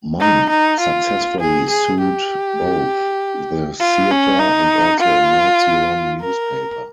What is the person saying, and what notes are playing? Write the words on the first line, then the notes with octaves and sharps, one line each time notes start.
Mann successfully sued both the theatre and also a Nazi run newspaper.
D#4
D#4
F4
G#4
G#4
G4
F4
C#4
D#4
F4
A#4